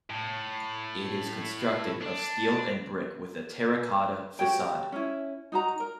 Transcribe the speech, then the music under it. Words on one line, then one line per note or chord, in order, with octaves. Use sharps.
It is constructed of steel and brick with a terra-cotta facade.
A2
D4
F#4 G4 C#5 G5
C#4 E4
D#4 F#4 A#5
A#4